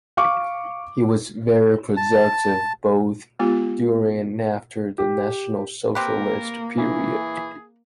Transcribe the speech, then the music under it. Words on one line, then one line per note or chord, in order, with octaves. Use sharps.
He was very productive both during and after the national socialist period.
F5 C#6 D6
A5
G#3 B3 F4 G4
G4
A#3 C4 G4 A#4 B4
E3 G#4